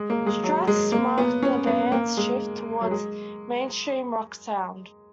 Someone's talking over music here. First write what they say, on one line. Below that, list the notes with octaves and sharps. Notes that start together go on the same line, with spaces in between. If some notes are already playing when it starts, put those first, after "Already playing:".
"Strast" marked the band's shift towards mainstream rock sound.
Already playing: G#3
A#3
G#3
F#3
G#3
A#3
B3
C#4
B3
A#3
G#3
F#3
G#3